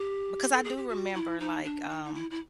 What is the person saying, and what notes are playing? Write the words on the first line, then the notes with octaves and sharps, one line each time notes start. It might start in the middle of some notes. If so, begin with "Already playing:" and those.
because I do remember, like, um,
Already playing: G4
A4
G#4
G4
F#4
E4
D#4
D4
D#4
D#4
E4
E4